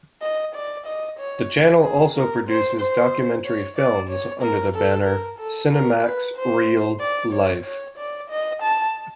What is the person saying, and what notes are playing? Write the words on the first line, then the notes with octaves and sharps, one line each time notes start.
The channel also produces documentary films under the banner "Cinemax Reel Life".
D#5
D5
D#5
C#5
G#4
A#4
C5
C5
C#5
D5
C#5
A#4
A4
A#4
A4
A#4
B4
C5
D5
C#5
C#5
D5
D#5
A5